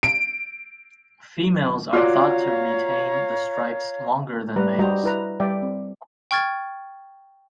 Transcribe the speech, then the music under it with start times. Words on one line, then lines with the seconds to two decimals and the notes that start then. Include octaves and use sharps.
Females are thought to retain the stripes longer than males.
0.03 D7
1.93 F4 F#4 C#5 D5 F5 A#5
4.56 G3 B4 A#5
4.79 G3 F#4 C5 D#5 A#5
5.04 E4 B4 A#5
5.40 G3 D5 E5 G5
5.62 C4
6.31 G5 C#6 F6 G#6 A6